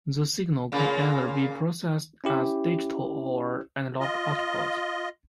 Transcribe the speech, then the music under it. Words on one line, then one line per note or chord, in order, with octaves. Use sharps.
The signal can either be processed as digital or analog output.
A#2 C#3 A#3
C#4 E4 G4
F4 D#5